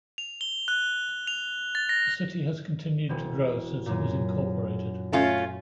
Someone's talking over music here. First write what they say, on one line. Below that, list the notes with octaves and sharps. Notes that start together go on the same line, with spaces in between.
The city has continued to grow since it was incorporated.
F7
G7
F#6
F7
A6
A#6
E1 B2 C4
F#2 A#2
A3 C#4 F4